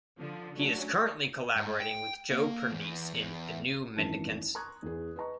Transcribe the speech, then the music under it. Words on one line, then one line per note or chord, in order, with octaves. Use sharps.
He is currently collaborating with Joe Pernice in The New Mendicants.
D3 F3
F#3 A3 C#4 D4
G#2
G5
A#3
E2
E2
G#1 F#2 E3 A5
A#5 C6 C#6 D#6 F#6 G#6
E2 G#4
B4 D#5 A#5 C#6